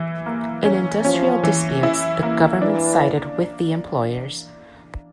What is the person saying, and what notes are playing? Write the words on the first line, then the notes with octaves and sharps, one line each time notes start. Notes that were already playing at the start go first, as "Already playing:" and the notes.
In industrial disputes, the government sided with the employers.
Already playing: E3 E4
A#3
C#4
F3 C#4
E3
E4
A#3
E3 D4